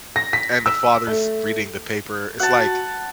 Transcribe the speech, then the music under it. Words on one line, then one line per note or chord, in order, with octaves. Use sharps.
And the father's reading the paper, it's like,
A#6
B6
E6
A3
F#4 F#5 A5